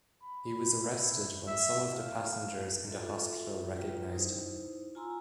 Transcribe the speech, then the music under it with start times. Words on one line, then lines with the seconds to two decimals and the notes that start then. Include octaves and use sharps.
He was arrested when some of the passengers in the hospital recognized him.
0.23 B5
0.83 E4
1.47 E5
1.95 F5
2.89 F4 F#4 A4 E5
3.77 F4 B4 G5
4.13 D#4 E4 C5
4.95 F4 G#5 A#5 C6 E6